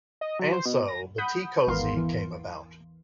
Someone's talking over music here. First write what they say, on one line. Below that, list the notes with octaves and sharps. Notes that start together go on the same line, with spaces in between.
And so, the tea cosy came about.
D#5
F#3
C5
B2
A#6
F#5 B5 D#6 G6
G#1 E2 B3 A#4 F5 C6
E3